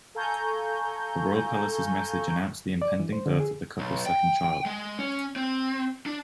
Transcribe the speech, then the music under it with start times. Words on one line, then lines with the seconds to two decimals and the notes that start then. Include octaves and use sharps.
The royal palace's message announced the impending birth of the couple's second child.
0.15 A4 F5 G#5 A#5 C#6 G6
2.82 D5
3.00 E3
3.13 C5
3.26 D3
3.40 G#4
3.79 B1
4.06 G5
4.66 G#3
4.99 C#4
5.36 C4
6.06 D4